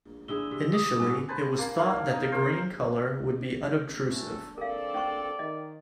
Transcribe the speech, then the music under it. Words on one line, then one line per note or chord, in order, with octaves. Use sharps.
Initially, it was thought that the green colour would be unobtrusive.
D3 E4 G#4 G7
C3
D6 D#6
A2 F#4 A4 G#5
B4 C5 G#5 A5
A#3
A#3 D#4 F5
D4
D#4
A#4 C5
E2 A2 E3 F#4 A4
C4 A4 A#4 D5 F5
C#4 C5 C#6
D#3 D#5